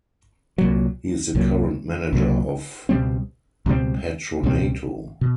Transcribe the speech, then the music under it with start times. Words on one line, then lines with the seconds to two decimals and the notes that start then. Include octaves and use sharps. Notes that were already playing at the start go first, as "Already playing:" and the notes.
He is the current manager of Patronato.
0.58 C2 A#2 F#3
1.35 C2 A#2 F#3
2.13 C2 A#2 F#3
2.89 C#2 B2 G3 C4
3.66 C#2 B2 G3 C4
4.44 C#2 B2 G3 C4
5.21 B2